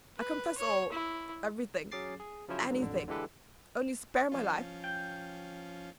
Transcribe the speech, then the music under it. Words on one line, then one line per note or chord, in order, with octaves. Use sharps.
"I confess all--everything--anything! only spare my life!"
B4
C#5
E4
F#3 C#4 G#4 D6 A6 C7
G#4
C#3 F3 F#3 C#4 E4 C5
G#2 D3 F#3
A1 F2 D3
D3 E3 G#3 G4 A4 B4
F3 C#4 F4
G5